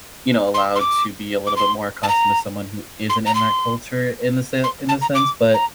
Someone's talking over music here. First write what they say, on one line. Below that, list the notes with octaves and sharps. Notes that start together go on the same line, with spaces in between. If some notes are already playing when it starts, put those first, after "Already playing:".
you know, allowed to be a little bit more accustomed to someone who isn't in that culture in the sen in the sense, but
C6
C6
D6
D6
C6
A5
A#5
C6
A#5
C6
C6
A5
A#5
D6
A#5